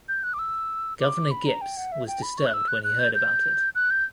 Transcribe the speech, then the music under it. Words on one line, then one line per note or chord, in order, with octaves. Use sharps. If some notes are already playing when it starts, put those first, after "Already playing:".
Governor Gipps was disturbed when he heard about it.
G6
F#6
D6
E6
D6
B5
A#5
G5
F#5
E5
G5
B5
C#6
F#6
E6
F#6
F#6
G6
G6
F#6
G6